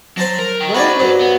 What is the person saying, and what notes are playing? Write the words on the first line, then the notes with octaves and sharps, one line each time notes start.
What is it
F#3 C5 A5 A#5
A#4
A#4 G5
F#4 G#4 C5 D5 B5
G2 F#3
B3